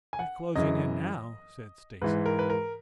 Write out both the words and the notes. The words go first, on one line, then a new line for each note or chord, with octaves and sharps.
"They're closing in now," said Stacy.
G#5
F#5
F#2 C#3 E3 D#5
G#2 E3 B4
A#4
B4
A#4